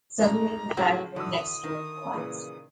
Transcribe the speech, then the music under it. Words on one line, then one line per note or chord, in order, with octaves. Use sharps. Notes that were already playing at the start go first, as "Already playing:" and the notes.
Suddenly the factory next door collapsed.
A1 G#3 D#4 A#5 F#6
A2 C#3 F3 F#3 B3
D3 E3 F#4 D#6 E6
D#3
A#2 C#3 E3